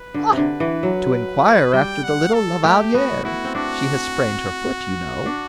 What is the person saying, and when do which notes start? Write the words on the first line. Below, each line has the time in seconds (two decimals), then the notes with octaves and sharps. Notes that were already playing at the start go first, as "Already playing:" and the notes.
"Ah, to inquire after the little La Valliere; she has sprained her foot, you know."
Already playing: B4
0.14 D3
0.32 C3
0.37 D3
0.60 E3
0.83 F#3
1.73 G3 G5
2.04 F#5
2.34 A4
2.64 A3 G4
2.94 B3 F#4
3.24 E4 F#4
3.45 C4
3.55 D4 F#4
5.26 D4